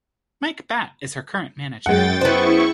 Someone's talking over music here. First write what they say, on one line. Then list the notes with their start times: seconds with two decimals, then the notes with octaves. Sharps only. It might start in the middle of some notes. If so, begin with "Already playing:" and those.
Mike Batt, is her current manager.
1.86 F#2 G#3 F#5 G5 A6
2.21 B3 E4 C5 C#6